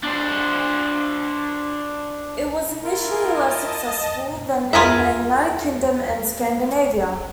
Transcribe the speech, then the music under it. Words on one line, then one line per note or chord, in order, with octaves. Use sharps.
It was initially less successful than in the United Kingdom and Scandinavia.
D4 C5
E4 F4 A#4
D#5 A5
F4 G#4 A#4 E5